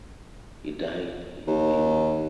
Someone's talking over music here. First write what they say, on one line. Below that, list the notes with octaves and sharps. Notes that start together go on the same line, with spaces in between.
He died in Weimar.
D#2